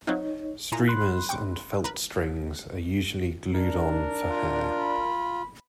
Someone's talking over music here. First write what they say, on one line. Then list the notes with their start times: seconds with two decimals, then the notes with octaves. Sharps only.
Streamers and felt strings are usually glued on for hair.
0.07 F#3 C4 D#4 F4 C#5
0.72 A#2 E4 G#5 A#5
0.88 B5 C6 F#6
1.29 G5 C#6 D6
1.84 A#4 B4
3.55 D4 A#4
4.29 F4
4.79 B5